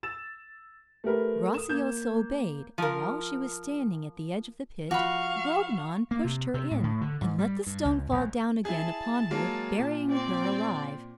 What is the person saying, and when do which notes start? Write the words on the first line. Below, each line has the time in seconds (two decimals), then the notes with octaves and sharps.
Graciosa obeyed; and while she was standing at the edge of the pit, Grognon pushed her in, and let the stone fall down again upon her, burying her alive.
0.03 E6 A6 E7
1.04 A3 G4 A#4 B4
1.54 D#6 E7
1.69 A#3 G6 G#6 E7
2.78 F3 A#4
4.91 F3 F#4 F5 B5 C#6
6.11 A#3
6.25 C3
6.54 C3
6.71 A2
6.83 A2
7.01 D3
7.21 G#2
7.39 G3
7.67 G2
7.85 C#2
8.11 A#1
8.65 E4 G#4 A5
9.31 F#3 G#3 A#3
9.79 A#2
10.09 C4 D5